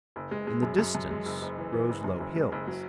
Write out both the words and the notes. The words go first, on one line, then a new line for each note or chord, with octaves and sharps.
In the distance rose low hills.
F#1
G#3
G#3
F#2
F#2
F#2
G#3
F#1
F#1
E3
E3
F#1
F#2
F#1
G#3
F#1
F#3